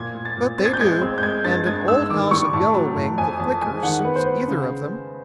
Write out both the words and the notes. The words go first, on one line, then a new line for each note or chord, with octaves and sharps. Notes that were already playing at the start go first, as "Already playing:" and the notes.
But they do, and an old house of Yellow Wing the Flicker suits either of them.
Already playing: A#2 F3 G#6
A#2
A6
A#2
C4 A6
G#6
G6
G#3 G#6
C4
G6
G#3 G#6
G2 A6
G#3 G#6
G#2 E6
D#3 D6
G3 C#6
A2 A5
F#3
A2
F2 G#5
F2 A5
G#3 G#5
D#3 F#5
B3 B4
C5
B3
C#3